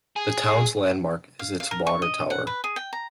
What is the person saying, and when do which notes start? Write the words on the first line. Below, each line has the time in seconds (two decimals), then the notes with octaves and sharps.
The town's landmark is its water tower.
0.16 G#4
1.39 F5
1.60 F5
1.71 A#4
1.87 C#6
2.02 D#5
2.30 F#5
2.47 B4
2.64 G#4
2.76 G5
2.93 A#5